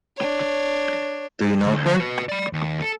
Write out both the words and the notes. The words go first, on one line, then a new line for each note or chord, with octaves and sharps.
Do you know her?
D4 C#5
D2
F#4 B4
D5 B5
D#2
A4